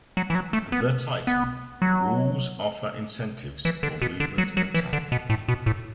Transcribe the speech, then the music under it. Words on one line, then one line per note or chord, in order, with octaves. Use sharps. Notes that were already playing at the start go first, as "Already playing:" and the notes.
The "Titan" rules offer incentives for movement and attack.
F#3
E3
F#3
A3
B3
B3
F#3
E3
D3
B2
D3
F#3
F#3
E3
D3
B2
A2
B2
A2